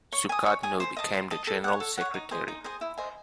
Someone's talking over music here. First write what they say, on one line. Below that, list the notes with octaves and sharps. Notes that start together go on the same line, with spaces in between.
Sukatno became the general secretary.
C#5
G#5 D#6
C#5
G#5 D#6
C5
D#5 A5 D#6
C5
D#5 A5 D#6
A4
C#5 F#5
A4
C#5 F#5
D#4
G#4 C5 D#5
D#4
G#4 C5 D#5
E4
C5 D#5 G#5